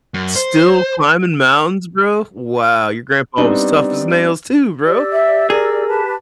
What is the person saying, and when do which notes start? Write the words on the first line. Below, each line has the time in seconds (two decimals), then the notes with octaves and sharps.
Still climbing mountains, bro? Wow, your grandpa was tough as nails too, bro.
0.14 F#2
0.36 C5
3.38 G3 B3 C4 D4 D#4
4.85 G4 D5 E6
5.12 E5
5.50 G#4 A#4
5.87 G4 B4 A5